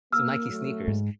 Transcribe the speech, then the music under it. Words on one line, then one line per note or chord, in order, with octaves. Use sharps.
Some Nike sneakers.
A#3 E6 F6
F#3 A3
G#2